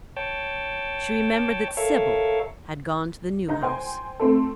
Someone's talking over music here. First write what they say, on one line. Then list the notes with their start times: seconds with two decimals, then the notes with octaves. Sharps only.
She remembered that Sibyl had gone to the New House.
0.16 C#5 G5 A5
1.77 A4 A#4 C#5 E5 F5
3.48 D#4 A#5 G6
3.62 C5 G5 G#5
4.20 A3 C4 A4